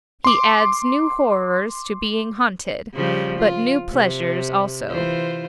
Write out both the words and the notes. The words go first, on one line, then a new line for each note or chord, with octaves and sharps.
He adds new horrors to being haunted, but new pleasures also.
C6 D6
C#3 F3 G3
F4
C3
E3 F4 C5